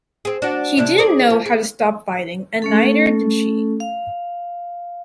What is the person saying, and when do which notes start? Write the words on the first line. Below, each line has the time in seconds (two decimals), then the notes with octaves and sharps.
He didn’t know how to stop fighting, and neither did she.
0.25 C4 G#4
0.42 D4 F#4
0.77 C3 D4 E4
0.98 G#4 C5 D5
1.30 F3
1.46 G#4
2.62 A3 C#4 A4
3.80 F5